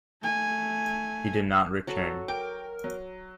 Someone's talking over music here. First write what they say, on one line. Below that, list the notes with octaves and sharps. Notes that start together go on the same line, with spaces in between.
He did not return.
A3 G#5
F#3 F#4 A4
A#4 G5 D6
F#3